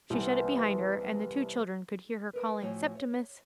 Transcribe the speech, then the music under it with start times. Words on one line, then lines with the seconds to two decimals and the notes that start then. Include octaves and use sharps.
She shut it behind her, and the two children could hear her calling 'Septimus!
0.10 C2 E3 B3 C5
2.33 A#4 B4
2.62 A2 F3 F#4 C#5 G#5
2.96 C#5